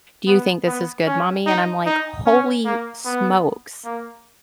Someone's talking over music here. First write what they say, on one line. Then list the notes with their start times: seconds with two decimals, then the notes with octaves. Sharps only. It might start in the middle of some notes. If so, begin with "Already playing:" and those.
"Do you think this is good, mommy?" And I'm like, "Holy smokes.
0.27 B3
0.67 B3
1.07 C#4
1.46 D#4
1.86 D#4
2.26 C#4
2.65 A#3
3.05 B3
3.85 A#3